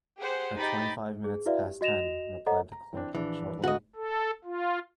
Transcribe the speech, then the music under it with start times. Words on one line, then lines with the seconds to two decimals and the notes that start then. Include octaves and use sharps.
"At twenty-five minutes past ten," replied the clerk shortly.
0.19 G4 G#4 C5 F#5
0.58 D#4 G4 B5 A6
1.24 G#4
1.46 E4 F#4 B4 D5 E5 F5
1.64 G4
1.81 F#4 D#5 A#6 E7 F7
2.46 A4 C5 C#5 D#5 F#5 A#5
2.72 A#5
2.93 E3 C4 D4
3.15 A#1 E3 D4
3.64 D2 F#4 A4 D#5 F5
3.96 A4
4.44 F4